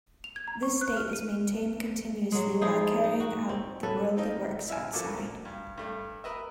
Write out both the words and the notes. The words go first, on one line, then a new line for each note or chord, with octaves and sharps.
This state is maintained continuously while carrying out the worldly works outside.
F7
G#6
A#5
C#6
F#6
F6
D#7
F#3 G#3
F3 G#3 D#4 E4
D#4
F#4
C4
C#4 A4 B4
C4 D#4 F4
E4 E5 F5 G#5
A#2 F3 A#3 F#4 A4 D6
G2
G2 A3
A#4 B4 D#5 E5